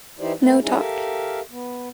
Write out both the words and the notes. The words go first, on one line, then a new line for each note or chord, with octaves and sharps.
No talk.
E3 D#4 E4 G4 C5 D5
A3 B3
G3 C#4 D#4 E4 G#4
G4 A4 A#4 E5 F5
B3